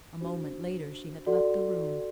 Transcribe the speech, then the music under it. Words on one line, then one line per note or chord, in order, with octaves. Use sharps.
A moment later she had left the room.
D4 F#4 C5
F#4 A4 D5 F#5 C6